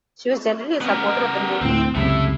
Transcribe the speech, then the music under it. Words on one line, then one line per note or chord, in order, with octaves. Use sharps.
She was generally a supporter of the New Deal.
B3 A#4
D2 A2 C4
C#2 F#2 C3 A3 E4